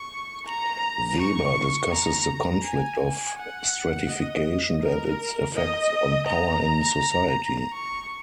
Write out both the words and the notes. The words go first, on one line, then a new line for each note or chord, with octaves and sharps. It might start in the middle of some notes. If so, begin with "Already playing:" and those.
Weber discusses the conflict of stratification and its effects on power in society.
Already playing: C#6
A#5
C#6
A#5
G#5
F#5
D#5
A#4
D#5
A#5
C#6